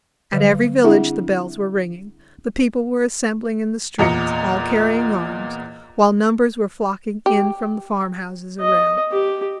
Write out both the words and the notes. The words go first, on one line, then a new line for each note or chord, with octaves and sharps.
At every village the bells were ringing, the people were assembling in the streets, all carrying arms, while numbers were flocking in from the farmhouses around.
D3 F#3 G3
C4 D4 E4 G#4 E5 F#5
E2 A#2 D#5 A#5 C#7
G4
D#5
G4